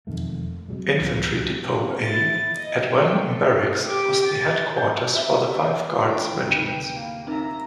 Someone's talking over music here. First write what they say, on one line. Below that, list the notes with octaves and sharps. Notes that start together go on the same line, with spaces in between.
Infantry Depot A at Wellington Barracks was the headquarters for the five guards regiments.
E1 F2 D#3 A3
C3 F#3 G#3
D1 C#2 F3 B3
E4 A6
D#5
G5
A4
G4 D6
A6
G6
E5
E3 D4 F4 G5
D2 G#2 C3 B4
A#3
C4 D#4 A#4 E5 A#5